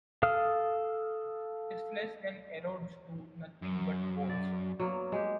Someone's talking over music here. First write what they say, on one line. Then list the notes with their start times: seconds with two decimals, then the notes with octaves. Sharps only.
His flesh then erodes to nothing but bones.
0.23 A4 F5 D#6 F6
3.62 F#2
4.29 D5
4.80 F#3 A#3 B3
5.12 G#3 G4